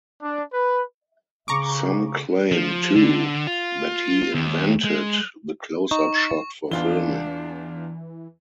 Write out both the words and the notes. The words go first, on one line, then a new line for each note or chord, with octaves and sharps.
Some claim, too, that he "invented" the close-up shot for filming.
D4
B4
C#3 A#5 C#6 D6
F3
D3
F4
D#2
G#3
D#4 C#6
E2 E3 D4 F4 G7